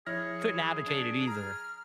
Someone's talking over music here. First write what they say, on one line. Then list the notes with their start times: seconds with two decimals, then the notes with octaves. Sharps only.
couldn't advocate it either.
0.07 F3 E4 G#4 C#5 F6 A#6
0.86 D4
1.27 A#5 F6